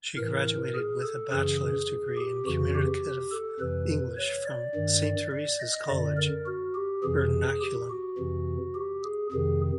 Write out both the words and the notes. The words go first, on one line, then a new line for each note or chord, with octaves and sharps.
She graduated with a bachelor's degree in Communicative English from Saint Teresa's College, Ernakulam.
A2 E3 A#4
G#4
A4
F#2 C#3 E3 G#4
G#4
G4
F2 C#3 E3 F#4
G4
A4
F2 C3 E3 B4
C#5
D5
G2 D#3
D5
D#5
F#2 D3 D5
A#4
F#4
G4
F2 C3 E3 G#4
G4
F#4
F2 C3 E3
G4
G#4
F2 C3 D#3 G#4